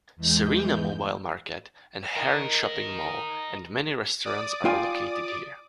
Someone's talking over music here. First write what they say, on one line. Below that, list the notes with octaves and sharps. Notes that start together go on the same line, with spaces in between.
Serena Mobile Market and Haron Shopping Mall and many restaurants are located here.
E2 E3 G#3 G6
A#4 D#5
D5 D6 D#6
F4 G5 G#5